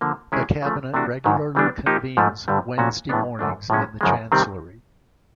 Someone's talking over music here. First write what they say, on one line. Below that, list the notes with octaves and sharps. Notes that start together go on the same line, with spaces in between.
The cabinet regularly convenes Wednesday mornings in the Chancellery.
D3 F3 A#3
D#3 G#3 C#4 E4 G#4
C#3 F3 A3
C3 E3 A3 D4 F#4
G#2 D#3 F#3
C#3 E3 G3 B3 D4
F3 A#3 D#4 G4
G#2 F3 A3
G2 D3 G3
A#2 F3 A3 C#4 F#4
A2 E3 G#3 B3 D4
F#2 D3 F3 A3 D4
A2 F3 G#3 C#4
F#2 C#3 F3 G#3
C3 D#3 G3 C4